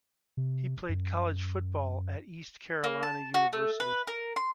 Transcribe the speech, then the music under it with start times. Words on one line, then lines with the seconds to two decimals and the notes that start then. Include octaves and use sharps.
He played college football at East Carolina University.
0.37 C3
0.89 F#2
2.84 A#3
3.03 A5
3.34 F#4
3.53 A3
3.80 B4
4.07 A#4
4.36 C6